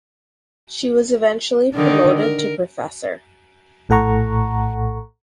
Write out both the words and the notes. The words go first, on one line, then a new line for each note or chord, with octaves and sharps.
She was eventually promoted to Professor.
D3 D#3 D#4
A#4
A#1 A2 A4 F#5 A#5 C#6